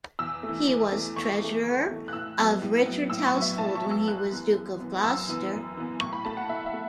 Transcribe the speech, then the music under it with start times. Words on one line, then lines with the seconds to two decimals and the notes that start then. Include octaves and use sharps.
He was treasurer of Richard's household when he was Duke of Gloucester.
0.19 E2 E6
0.43 A3
0.49 E3
0.67 E2
0.92 E3 A3
1.16 E2 C#6
1.41 E3 A3
1.64 E2
1.90 E3 A3
2.08 F#6
2.13 A2 E6
2.38 F#3 B3
2.62 A2
2.86 F#3 B3
3.10 A2 E6
3.27 C#6
3.34 F#3 B3
3.42 E5
3.58 A2 A5
3.75 C#6
3.82 F#3 B3
3.91 E6
4.08 F#2 F#6
4.31 E3 B3
4.55 F#2
4.80 E3 B3
5.04 F#2 E6
5.28 E3 B3
5.53 F#2
5.77 E3 B3
6.00 A2 C#6
6.13 B5
6.25 A3 A5
6.37 F#5
6.49 A2 E5
6.66 E5
6.73 A3